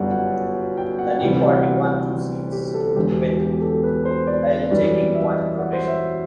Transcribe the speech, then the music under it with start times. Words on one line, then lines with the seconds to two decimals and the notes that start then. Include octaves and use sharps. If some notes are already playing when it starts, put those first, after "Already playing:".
The new party won two seats, with Pa'il taking one in rotation.
Already playing: G1 F#2 D3 G3 D5 F#5
0.11 F#5
0.77 G5
0.99 F#5
1.21 D2 C3 E3 G3 G5
1.35 F#5
1.50 F#5
2.52 G4
2.74 A4
2.95 E1 E2 D3 G4
3.39 G4
3.61 A4
3.84 B4
4.05 C5
4.27 D5
4.71 F#2 E3 G3 D5
5.15 E5
5.58 F#5
5.73 C5
5.88 E5